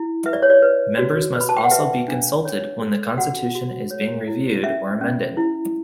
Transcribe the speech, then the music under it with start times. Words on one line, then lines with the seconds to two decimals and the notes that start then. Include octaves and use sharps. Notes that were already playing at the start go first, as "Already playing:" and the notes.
Members must also be consulted when the constitution is being reviewed or amended.
Already playing: E4
0.26 B4 E5
0.33 D5
0.43 C#5
0.50 D5
0.62 B4
0.99 F#4
1.35 B4
1.41 B5
1.49 A5
1.57 G5
1.64 F#5
1.71 B4 E5
2.08 D4
2.45 C#5
2.81 A4
3.09 G5
3.18 F#4 F#5
3.55 F#4
3.91 C#5
4.27 E4
4.64 C#4 E5
5.01 C#4
5.37 E4